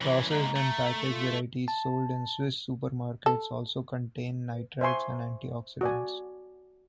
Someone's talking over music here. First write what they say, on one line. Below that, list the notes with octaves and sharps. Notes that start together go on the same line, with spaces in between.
Processed and packaged varieties sold in Swiss supermarkets also contain nitrites and antioxidants.
F#2 E3
D#2 G#2 A#5
A3
F4
A5
A4
C5 E5 G#5 C6 C#6
F#4 D5 G#5